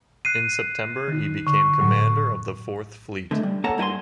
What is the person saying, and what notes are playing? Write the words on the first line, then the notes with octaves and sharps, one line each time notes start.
In September he became commander of the Fourth Fleet.
F#6 C7 D#7
D#3 D#4
D3 C#6
A2 F#3
D3 G#3 A3
G3
A#3 A4 C#5 F#5 A5 A#5
G2 E4 A#4 G#5 C6